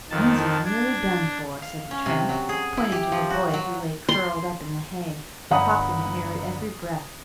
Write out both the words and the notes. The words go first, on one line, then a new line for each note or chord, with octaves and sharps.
"Jonesy's nearly done for," said the tramp, pointing to the boy who lay curled up in the hay, coughing at nearly every breath.
F2 D#3 A5
D4 G#6
F5
C#4
C3
F#3
G#4
E4
G4
F3
F#4
F#3
C6
G1 D5 F#5 A#5 B5 D#6